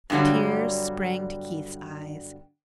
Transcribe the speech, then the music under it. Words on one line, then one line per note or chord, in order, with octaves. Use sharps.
The tears sprang to Keith's eyes.
G2 B2 D3 F#3 G3